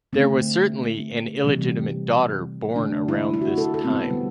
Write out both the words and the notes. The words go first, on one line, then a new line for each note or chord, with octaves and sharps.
There was certainly an illegitimate daughter born around this time.
D3 A3 C4
C3 E3 G3
D3 A3 D4
E4
E4
F#4
A4
A4
C4
B3
D3 G3